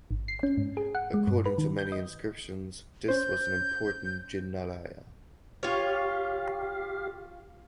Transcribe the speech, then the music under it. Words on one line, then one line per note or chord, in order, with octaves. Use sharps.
According to many inscriptions this was an important Jinalaya.
G#1
C7
C#4
G#2
G#4
F#5
G#3
G2
B4
D#3
G6
D#5
C#4 C5 G6
F4 G4 C#5 F5